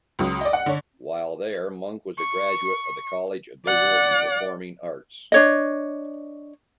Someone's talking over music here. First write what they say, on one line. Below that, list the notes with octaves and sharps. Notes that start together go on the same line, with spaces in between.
While there, Monk was a graduate of the College of Visual and Performing Arts.
C#2 F#3 D#6
D5 D#5
F#5
D3 C#5
C#6
D5 F#5
D4 C#5 D#5